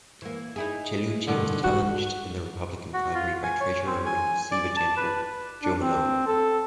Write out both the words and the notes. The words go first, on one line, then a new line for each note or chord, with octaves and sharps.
Cellucci was challenged in the Republican primary by Treasurer and Receiver-General Joe Malone.
E3 A#3
D#4 E4 G#4
G2 B2 D3 D#3
F2 G#2 F#4
F#4
F4
G#5
C#5
C4
G#5
D5
A5
B4
D4
C4
A4